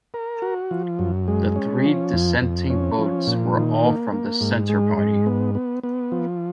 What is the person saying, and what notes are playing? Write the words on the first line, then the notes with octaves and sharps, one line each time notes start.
The three dissenting votes were all from the Centre Party.
A#4
F#4
F3
F#2
G#3
C#4
F3
F2
F2
C#4
F3
A#2
D#3
A#3
A#3
G#2
G#3
G#2
B3
B3
B3
F3